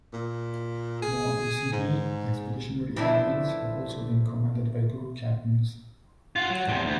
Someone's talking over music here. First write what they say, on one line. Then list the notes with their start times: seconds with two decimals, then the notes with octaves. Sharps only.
More recently, expeditionary air wings have also been commanded by group captains.
0.13 A#2
1.02 G#4
1.72 G#2
2.96 E3 F3 A3 D4 E4
6.36 F4 F#4
6.50 F#3
6.68 E2 C3
6.85 D2